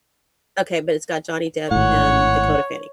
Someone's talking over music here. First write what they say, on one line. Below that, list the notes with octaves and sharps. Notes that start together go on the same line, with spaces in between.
Okay, but it's got Johnny Depp and Dakota Fanning.
G#1 A2 C#5 F#5